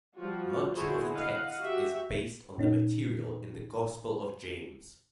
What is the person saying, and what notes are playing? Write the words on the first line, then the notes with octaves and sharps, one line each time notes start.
Much of the text is based on material in the Gospel of James.
F3 G3 F4 F#4
D3 E4 F#4 G#4 C5
D#5 F5 F#5
F#4 G4 E5
A#2 C#4 D#4